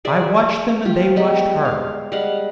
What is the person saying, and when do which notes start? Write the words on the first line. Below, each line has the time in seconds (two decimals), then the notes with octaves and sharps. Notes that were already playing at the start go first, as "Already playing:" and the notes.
I watched them and they watched her.
0.05 G#4 D5 E5
0.85 F4 G4
1.16 G3 G#3 B3 G4
1.65 F5
2.12 G3 G#3 F5 F#5